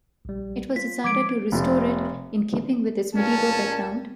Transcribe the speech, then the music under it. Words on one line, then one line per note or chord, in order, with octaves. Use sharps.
It was decided to restore it in keeping with its medieval background.
A#1 G3
F4 B6
F3 G#3 D6 G#6 D7
F1 F3
C#2 A#2 C#4 A5